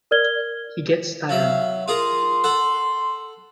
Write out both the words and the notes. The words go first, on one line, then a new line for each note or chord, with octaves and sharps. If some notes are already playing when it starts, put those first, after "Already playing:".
He gets tired.
A#4 D5 F6 G#6 G7
F#3 E5 F5
F4 G#4 A#4 C6
A4 F#5